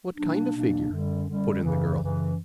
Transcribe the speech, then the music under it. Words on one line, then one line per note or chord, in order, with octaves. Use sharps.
"What kind of figure?" put in the girl.
B2 F#3 A#3 D4
B2 F#3 A#3 D4
F#2 D3 G3
F#2 D3 G3
F#2 C#3 E3
F#2 C#3 E3